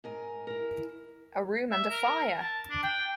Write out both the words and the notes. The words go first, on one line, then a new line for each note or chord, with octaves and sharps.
A room and a fire!
G#2 A#4 G#5
E4 A#4
E5
A#4
A5
D4
G5